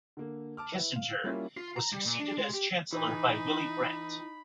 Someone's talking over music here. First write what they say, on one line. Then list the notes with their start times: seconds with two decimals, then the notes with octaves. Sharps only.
Kiesinger was succeeded as Chancellor by Willy Brandt.
0.17 D3 A#3
0.57 A5 D6 F6
0.72 E4 B4
0.96 F5
1.24 G3 A#3 C#4 E4 F4
1.57 F4
1.77 A#5
1.92 G3
2.06 A#2
2.19 D4
2.38 G#3
2.54 G4
2.93 E3 D#4 B5